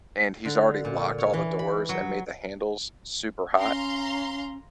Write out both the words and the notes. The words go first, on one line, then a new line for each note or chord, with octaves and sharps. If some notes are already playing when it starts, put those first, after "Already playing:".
and he's already locked all the doors and made the handles super hot,
D3
A#2
C#5
E3
B5
F#3
C#4 F5 A#5 C6